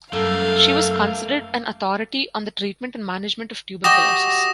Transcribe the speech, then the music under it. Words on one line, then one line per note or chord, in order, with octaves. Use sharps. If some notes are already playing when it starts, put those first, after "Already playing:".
She was considered an authority on the treatment and management of tuberculosis.
F#2 A3 A#3 A4 F5
F#4 G4 D#5 D#6 A#6 E7